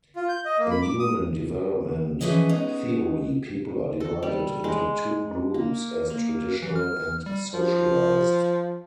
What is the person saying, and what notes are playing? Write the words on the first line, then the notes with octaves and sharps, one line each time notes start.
In human development theory, people are divided into two groups as traditional and socialized.
F4
G6
D#5
A#3
B5
D6
D#6
E3 F3 C#4 G#4 B4 D#5
G#3 B3 C#4 D#4
A4
G3
G#3
A#3
A#3
E3
F6
G3
F3